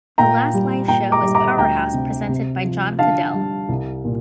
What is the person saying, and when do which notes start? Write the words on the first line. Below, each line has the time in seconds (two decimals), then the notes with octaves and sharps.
The last live show was Power House presented by John Caddell.
0.18 A#2 G5 A#5
0.54 G3
0.88 A#2 G5 A#5
1.12 A#5 D6
1.23 G3
1.35 A#5 D6
1.58 D2 G5 A#5
1.93 C3
2.29 C3
2.64 F3
2.99 D3 F5 A5
3.34 G3
3.69 C2
4.05 A#2